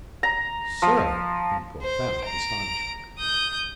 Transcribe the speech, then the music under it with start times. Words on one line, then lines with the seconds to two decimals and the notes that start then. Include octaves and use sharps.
"Sir!" in profound astonishment.
0.23 A#5
0.82 F3
1.82 C5
2.24 A#5 D7
3.18 D#6 G6